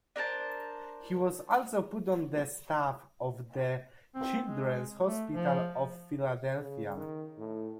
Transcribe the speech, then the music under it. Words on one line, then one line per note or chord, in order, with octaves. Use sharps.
He was also put on the staff of the Children's Hospital of Philadelphia.
D4 A#4 C5 A5
C4
G#3
A3
F3
C#3
D#3
A2